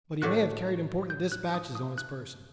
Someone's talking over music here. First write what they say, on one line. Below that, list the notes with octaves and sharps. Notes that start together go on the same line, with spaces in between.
But he may have carried important dispatches on his person.
A2 A3 D4 F#4 F#6
G6
F#6
D#6
D#6
F#6